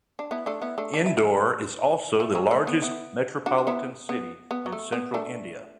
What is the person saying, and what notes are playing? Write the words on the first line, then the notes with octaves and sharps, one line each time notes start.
Indore is also the largest metropolitan city in Central India.
D4
B3 E4
A3 D4
B3 E4
A3 D4
D4
E4
A3 D4
A3
F#3
A3
B3
B3 E4
D4 F#4
D4
B3 E4
B3
B3
F#3
A3
B3
A3 D4